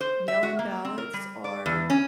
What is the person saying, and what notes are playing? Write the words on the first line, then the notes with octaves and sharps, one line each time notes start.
mail-in ballots are
C5
E5
F#4
A#3
C4
A#4
G3
D5
E2
C#4